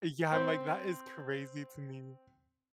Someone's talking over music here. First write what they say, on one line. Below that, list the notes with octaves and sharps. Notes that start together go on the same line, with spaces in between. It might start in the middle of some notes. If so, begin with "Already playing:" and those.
Eh, yeah, I'm like that is crazy to me.
C4 C5